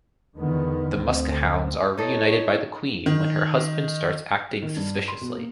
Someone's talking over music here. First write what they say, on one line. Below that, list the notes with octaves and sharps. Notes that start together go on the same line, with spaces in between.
The Muskehounds are reunited by the Queen when her husband starts acting suspiciously.
E2 D3 D#3 B3
D2 C4
D#4 E4 A4 C#5
D#3
D#3
G2
C6
B2
A#3